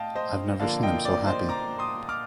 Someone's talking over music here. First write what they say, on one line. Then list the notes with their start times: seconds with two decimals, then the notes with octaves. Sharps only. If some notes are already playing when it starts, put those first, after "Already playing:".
I’ve never seen him so happy.
Already playing: A2 D#5 F5 G5 A5
0.15 C5 D#5
0.60 D3 F3 A#3 F5 A5
0.83 D#5 G5
1.05 D5
1.27 C5 D#5
1.49 A#5 D6
1.79 C6 D#6
2.09 D6 F6